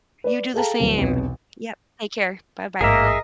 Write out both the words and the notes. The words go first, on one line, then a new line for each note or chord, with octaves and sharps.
You do the same. Yep, take care, bye-bye.
B4 D5
G#4 A4 F5 G5 A5 A#5
D1 F#3
E1 B1 C3
A1 G#2 A#3 G#4 A#4 D#5 E5